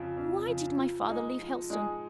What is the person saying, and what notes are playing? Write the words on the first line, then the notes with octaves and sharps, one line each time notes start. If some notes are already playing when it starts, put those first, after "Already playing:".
Why did my father leave Helstone?
Already playing: F2 C#3 F3
F2
C#3 F3
F3
G#3 D#4 G#4
F3
G#3 D#4 G#4